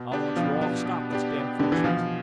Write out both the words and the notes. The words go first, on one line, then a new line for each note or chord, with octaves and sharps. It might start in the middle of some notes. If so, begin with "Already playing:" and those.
I want you all to stop this damned foolishness.
Already playing: B2
B3 D4 G4
B2 F3
B3 D4 G4
B2
B3 D4 G4
B2
D3 B3 D4 G4
E3
B2 F3